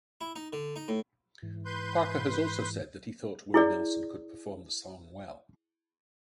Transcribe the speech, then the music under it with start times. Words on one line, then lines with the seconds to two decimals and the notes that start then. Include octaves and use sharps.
Parker has also said that he thought Willie Nelson could perform the song well.
0.21 E4
0.36 D#4
0.53 D3
0.76 D#4
0.88 A2
1.42 G#2 E3
1.65 B4 C6 G6
3.54 E4 G#4 D5